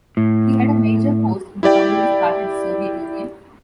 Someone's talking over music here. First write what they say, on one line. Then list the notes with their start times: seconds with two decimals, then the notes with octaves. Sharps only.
He had a major post in the Communist Party of the Soviet Union.
0.17 A2
1.63 E4 G4 D5 G5